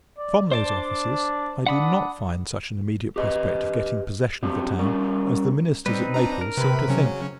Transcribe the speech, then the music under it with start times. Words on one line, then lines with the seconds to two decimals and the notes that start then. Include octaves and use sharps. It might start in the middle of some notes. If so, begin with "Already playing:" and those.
From those officers, I do not find such an immediate prospect of getting possession of the town as the ministers at Naples seem to think.
0.18 D5
0.52 D4 C5 D5 A5
1.67 D4 F#5 B5 D#6
3.16 G4 B4 D#5
4.43 F#3 C4 D4 G4
4.79 G3 C#4 A#4 D5
5.86 G3 C4 D#4 B4
6.14 D4 A#5
6.41 A#4
6.57 C3 B4 B5
6.88 C#3 F#3 C#4